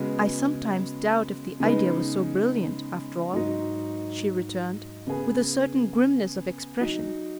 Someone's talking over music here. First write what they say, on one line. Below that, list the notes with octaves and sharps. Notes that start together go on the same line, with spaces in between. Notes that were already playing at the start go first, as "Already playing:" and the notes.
"I sometimes doubt if the idea was so brilliant, after all," she returned, with a certain grimness of expression.
Already playing: C#3 G#3 B3 F#4 B4
C#3 G#3 B3 D#4 B4
G#2 F#3 D#4
C#3 B3 G#4 B4
F#3 D#4 F#4